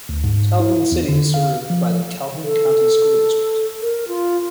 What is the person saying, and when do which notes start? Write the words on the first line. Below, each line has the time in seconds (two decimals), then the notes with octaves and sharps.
Calhoun City is served by the Calhoun County School District.
0.09 D2
0.24 G#2
0.60 E4
0.92 E2
1.08 D3
1.34 F5
1.70 F3
2.44 A4
3.82 A#4
4.08 F4